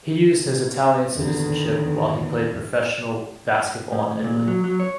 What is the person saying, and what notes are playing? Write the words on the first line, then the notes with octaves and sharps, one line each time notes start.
He used his Italian citizenship, while he played professional basketball in Italy.
E2 D3 D#3
A2
A#2
F#3
F#3
C#5